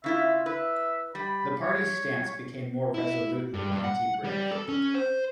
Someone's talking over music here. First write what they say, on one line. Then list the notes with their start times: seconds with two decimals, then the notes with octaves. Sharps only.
The party's stance became more resolutely anti-British.
0.04 C#3 E4 F4 E5
0.46 B4 E5
1.15 G3 B5
1.62 C#5
2.94 E4
3.54 G2
3.72 G2
3.84 F#5
4.24 G3
4.52 A4
4.69 C#4
4.94 C5